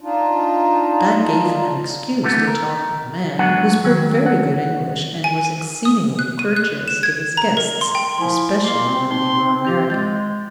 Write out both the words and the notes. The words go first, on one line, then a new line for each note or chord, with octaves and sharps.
That gave him an excuse to talk with the man, who spoke very good English and was exceedingly courteous to his guests--especially when they were American.
D4 D#4 F4
D3 E3 A3 B3
A#4
G#2 F#3 B3 D4 F#5
F2 D#3 F#3
F#5
G#5
D#7
D#6
F#6
D#7
F#6
E7
G#6
A#5
A#4
C6
G5
F3 E4 G#5 C6
A#3 C6 D6
C4
D#4 C6
G4 G6 F7
G#3 G6 A6